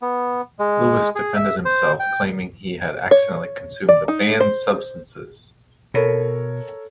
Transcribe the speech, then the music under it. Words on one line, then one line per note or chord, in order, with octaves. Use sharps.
Lewis defended himself, claiming that he had accidentally consumed the banned substances.
B3
G#3
G#4
E5
C5
G5
C#5
D5
D#4
C5
B2 A4 A#4 C#5